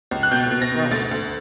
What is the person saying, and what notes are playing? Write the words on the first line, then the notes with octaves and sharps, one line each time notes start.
like, what's wrong with you?
C#2
F#6
B2 G6
B2
A#6
B2
D2 A6
D2